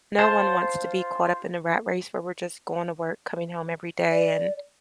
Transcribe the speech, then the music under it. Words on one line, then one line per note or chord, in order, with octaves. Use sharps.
No one wants to be caught up in a rat race where we're just going to work, coming home every day, and,
F4 C5 A5
D5